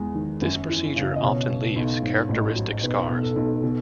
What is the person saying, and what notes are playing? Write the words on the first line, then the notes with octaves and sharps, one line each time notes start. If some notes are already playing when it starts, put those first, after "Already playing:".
This procedure often leaves characteristic scars.
Already playing: E2 G#3
D#3
F#2
E3
C#3
D#5
B2 C#5
B2
B1
G#2
A1
F#3
B1 B4
B1
A4
B1
B2